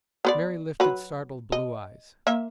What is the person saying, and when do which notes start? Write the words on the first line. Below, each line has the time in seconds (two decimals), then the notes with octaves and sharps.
Mary lifted startled blue eyes.
0.25 B3 B4 D5
0.80 F#3 B4
1.52 D#5
2.27 A#3 E5